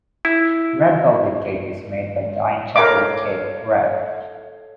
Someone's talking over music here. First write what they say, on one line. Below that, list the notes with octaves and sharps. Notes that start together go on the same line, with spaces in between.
Red velvet cake is made by dyeing chocolate cake red.
E4
A4 A#4 C#5 F5 D6